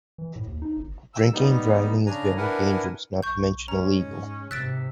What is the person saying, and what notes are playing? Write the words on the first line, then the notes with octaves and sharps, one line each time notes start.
Drinking and driving Is very dangerous, not to mention illegal.
E3
A2
D#2
D#4
G1
E6
G3 B3 D#4
C#3 D4 G#5 A#5
D4 E4 A#4 B4 F#5 G#5
B1 C#6 G6
G#3 C#4 A#5
G#2
G1 G#2 C3 E6 F#6 A6 B6 D7